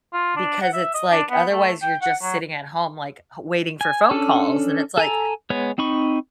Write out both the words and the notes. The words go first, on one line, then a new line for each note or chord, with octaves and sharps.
because it's like otherwise you're just sitting at home like waiting for phone calls. And it's like,
F4
D4
F#5
E5
D#5
D4
B3
A3
G5
F#5
F#3
G#5
C#4 D4 A4
A4 G#5 A#5
G#3 B3 C#5
C4 D#4 B5 C#6